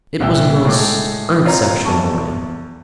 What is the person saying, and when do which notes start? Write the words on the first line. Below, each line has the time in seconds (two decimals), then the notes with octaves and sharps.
It was a most unexceptional morning.
0.20 C2 A#2 G5 E6
0.65 A2 G#3 A4 D6
1.44 C4 F4 C#5 A#5
1.85 E2 A5 C#6